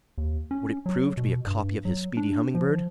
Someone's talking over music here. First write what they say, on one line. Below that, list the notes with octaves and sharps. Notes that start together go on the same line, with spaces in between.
Would it prove to be a copy of his speedy Humming-Bird?
D#2
C#4
F#3
B2
G2
F#3
D4
F3